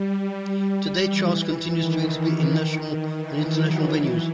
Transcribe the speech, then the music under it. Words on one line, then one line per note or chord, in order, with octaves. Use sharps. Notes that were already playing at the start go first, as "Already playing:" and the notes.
Today, Charles continues to exhibit in national and international venues.
Already playing: G3
E3
D#3
E3
F#3
E3